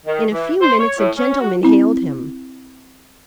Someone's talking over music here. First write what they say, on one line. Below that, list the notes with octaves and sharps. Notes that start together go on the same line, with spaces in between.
In a few minutes a gentleman hailed him.
D#3
E3
C5
C#5
A2
C#4
F#4
C4 E4